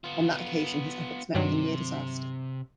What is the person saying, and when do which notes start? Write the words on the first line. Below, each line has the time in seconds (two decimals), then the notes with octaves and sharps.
On that occasion his efforts met with a near disaster.
0.04 B3 F4
1.35 G2 C3 D#3 F#3